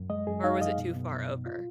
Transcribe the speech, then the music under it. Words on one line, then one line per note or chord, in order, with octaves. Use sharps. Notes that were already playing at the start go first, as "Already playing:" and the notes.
Or was it too far over?
Already playing: F#2
G#3 D#5
F#2 G#4
D#4 F5
F#2 D#5
B2
B2
B2
B2
F4